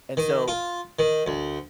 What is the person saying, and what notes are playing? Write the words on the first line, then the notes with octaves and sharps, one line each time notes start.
And so,
D#3
F4
D#3
D2